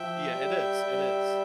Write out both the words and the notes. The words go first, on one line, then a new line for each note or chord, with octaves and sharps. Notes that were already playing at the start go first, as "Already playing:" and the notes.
Yeah, it is, it is,
Already playing: F3 E5 G5
G3
G3